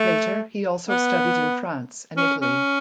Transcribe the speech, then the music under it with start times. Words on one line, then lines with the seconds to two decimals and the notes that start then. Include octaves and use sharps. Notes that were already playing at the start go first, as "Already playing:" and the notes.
Later he also studied in France and Italy.
Already playing: A3
0.89 B3
2.17 C#4
2.41 C#4